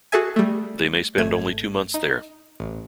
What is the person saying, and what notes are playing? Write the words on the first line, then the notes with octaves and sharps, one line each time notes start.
They may spend only two months there.
F#4 G#4 A4 E5 G#5
G3 A3
G#1 A3 G#6
D#4
A1